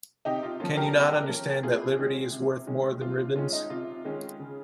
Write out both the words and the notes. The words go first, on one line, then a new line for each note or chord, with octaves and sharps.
Can you not understand that liberty is worth more than ribbons?
C3 D#4 G4
F4
F3 A#3 C#4 F4
G4 A#4
C3
F3 A#3 C#4
C3 F4 G#4
D#3 G#3 C#4
C3
D#3 G#3 C#4
C3 F4
F4
D#3 G#3 C#4 F4
D#4
C3 F4
D#3 G#3 C#4
C#3